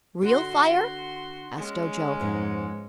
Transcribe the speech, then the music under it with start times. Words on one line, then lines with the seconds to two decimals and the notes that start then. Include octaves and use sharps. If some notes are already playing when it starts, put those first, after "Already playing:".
"Real fire?" asked Ojo.
0.22 D3 D4 F#4 C6
1.57 G#3 C#4
2.20 F2 G#2 B3